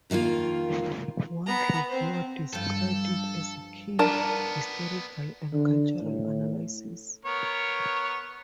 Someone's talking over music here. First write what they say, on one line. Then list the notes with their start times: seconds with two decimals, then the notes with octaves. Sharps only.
One reviewer described it as a keen historical and cultural analysis.
0.10 F2 D#3 G3 A#3 F4
1.46 B3 A#5
1.88 C4 C5
2.53 G2 F3 A4
3.99 B3 D4 F4 A#4 A5
5.54 D3
6.01 A2
7.25 B3 A#4 C#5